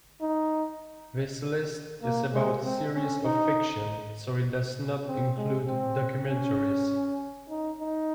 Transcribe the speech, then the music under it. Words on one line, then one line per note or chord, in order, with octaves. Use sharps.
This list is about series of fiction, so it does not include documentaries.
D#4
A#3
G#3
C4
C#4
D#4
C4
G#3
C4
C#4
D#4
D#4